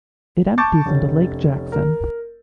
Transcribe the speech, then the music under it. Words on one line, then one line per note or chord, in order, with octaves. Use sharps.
It empties into Lake Jackson.
A5 C#6 D6 G6 A6
F1 C#4
A#4